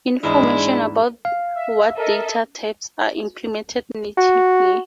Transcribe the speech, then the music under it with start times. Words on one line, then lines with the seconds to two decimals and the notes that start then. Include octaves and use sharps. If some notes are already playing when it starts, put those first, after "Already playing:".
Information about what data types are implemented natively.
0.23 E2 G#2 G#3 D4 E4
1.25 F5
1.55 E5
1.98 A4 A#4 D#5 E5
4.17 F#4